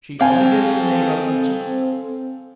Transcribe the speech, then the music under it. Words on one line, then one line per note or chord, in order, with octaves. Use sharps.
She only gives the name of 'G.
C4 A4 F5 G5 G#5